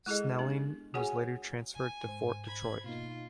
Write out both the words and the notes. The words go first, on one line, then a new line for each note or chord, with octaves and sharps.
Snelling was later transferred to Fort Detroit.
G#3 E4 G#4 A4 D#5
B3 D4 G4
F#4 G#4 C#5 F#5 G#5
G#5
G#2 C5
B5 G#6
B2 A#3 D#4 F4